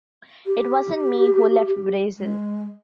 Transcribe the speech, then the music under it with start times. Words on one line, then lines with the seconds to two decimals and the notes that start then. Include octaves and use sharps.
It wasn't me who left Brazil.
0.46 G4
2.18 G#3